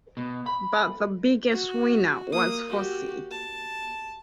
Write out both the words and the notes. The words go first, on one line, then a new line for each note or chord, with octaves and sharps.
But the biggest winner was Fosse.
B2
B5
F#4
A#3 D#6
F#4 G4
A5